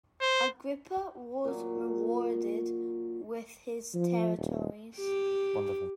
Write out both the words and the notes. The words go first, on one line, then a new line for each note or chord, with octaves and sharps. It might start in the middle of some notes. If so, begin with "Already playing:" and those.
Agrippa was rewarded with his territories.
C5
A#2 F#3
F3
D#1
G4